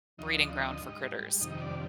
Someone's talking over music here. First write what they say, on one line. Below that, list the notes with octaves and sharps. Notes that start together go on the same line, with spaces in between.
breeding ground for critters.
D2 D3 F3 D#4 D#5
G#2 G3
F2 C3 D#3 G3 D#4 D#5
D4 D5